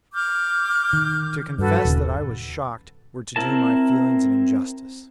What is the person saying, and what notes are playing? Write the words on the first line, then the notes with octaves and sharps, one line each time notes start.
To confess that I was shocked were to do my feelings an injustice.
D6 F6 G6
D#3
G2 F#4 A4 B4
D#1 C#3
C4 E4 A#4 A5